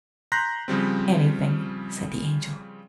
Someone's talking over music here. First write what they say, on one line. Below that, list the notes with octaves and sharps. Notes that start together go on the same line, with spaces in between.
"Anything," said the Angel.
A#5 C6 F#6 G6 A#6 B6
C#3 F3 G3 C4